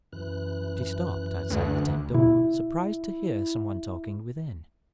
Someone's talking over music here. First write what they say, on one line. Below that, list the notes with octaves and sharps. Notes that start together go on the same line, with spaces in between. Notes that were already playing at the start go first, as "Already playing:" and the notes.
But he stopped outside the tent door surprised to hear some one talking within.
F#2 E3 F#6
D2
B2 E4